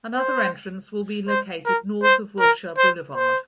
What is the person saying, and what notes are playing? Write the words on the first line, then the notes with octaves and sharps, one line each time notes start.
Another entrance will be located north of Wilshire Blvd.
C5
C5
A#4
C5
A#4
C5
C5